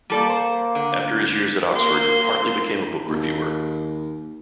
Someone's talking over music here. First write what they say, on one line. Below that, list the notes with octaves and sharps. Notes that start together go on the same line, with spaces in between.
After his years at Oxford, Hartley became a book reviewer.
G3 A#3 A4 D5
C5
D3
A#3 C6
D#2